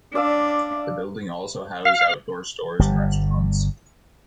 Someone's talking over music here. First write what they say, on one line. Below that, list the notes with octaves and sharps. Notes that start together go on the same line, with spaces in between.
The building also housed outdoor stores and restaurants.
D4 D5 F5 E6
F5
G1 G3